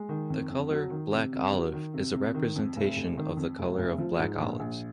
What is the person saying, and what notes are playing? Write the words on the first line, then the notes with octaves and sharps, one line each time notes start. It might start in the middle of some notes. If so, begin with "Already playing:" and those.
The color "black olive" is a representation of the color of black olives.
Already playing: G#3
D#3
F2
F2
F#3
D#3
C3
C3
F#3
D#3
C3
C3
D#3
F2
F1
F1
D#3
F2
F1
F1
F3
G#2
A#1
A#1